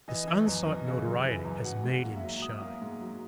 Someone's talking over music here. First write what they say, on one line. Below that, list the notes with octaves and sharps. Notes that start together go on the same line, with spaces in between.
This unsought notoriety has made him shy.
E3 D#5
E3
F#2
F#2
C#3
F#2
E3
F#2
F#3 F#5
G#2
F#5
A#3
E5
F#3
F#3 D#6
A#3
G#2
F#3